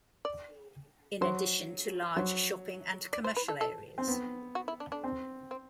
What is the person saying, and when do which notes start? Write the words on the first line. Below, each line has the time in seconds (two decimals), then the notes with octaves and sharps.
In addition to large shopping and commercial areas.
0.25 D5
1.21 F#3 C5
2.16 F#3 C5
3.13 D5
3.24 C5
3.36 B4
3.48 A4
3.61 A4
3.98 C4
4.08 B3
4.55 F#4
4.68 E4
4.80 D4
4.92 D4
5.04 C4
5.51 C4